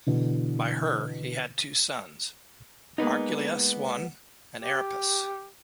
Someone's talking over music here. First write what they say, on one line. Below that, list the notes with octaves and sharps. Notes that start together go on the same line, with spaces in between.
By her, he had two sons, Archelaus I and Aeropus.
B2 D3 E3
G#3 A#3 B3 D#4
G4